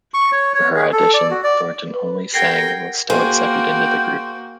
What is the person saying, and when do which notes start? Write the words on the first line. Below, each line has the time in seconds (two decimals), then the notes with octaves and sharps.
For her audition, Thornton only sang and was still accepted into the group.
0.14 C#6
0.32 C#5
0.55 C#5
0.76 G#4
0.93 A4
1.14 D5
1.31 F#4
1.44 D5
1.90 B4
2.34 G4 A4 A#4 F#5 G5 G#6 A#6 C7
3.10 A#3 F#4 G#4 C5 G5